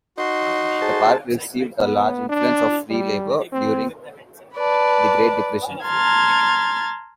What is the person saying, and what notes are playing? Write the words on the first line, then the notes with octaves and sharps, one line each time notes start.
The park received a large influx of free labor during the Great Depression.
D#4 F#4 C6
G#4 C5 A5
B3
D4
G3
C4
B4 D5 A5
A5 A#5 C6 F6 G#6 A6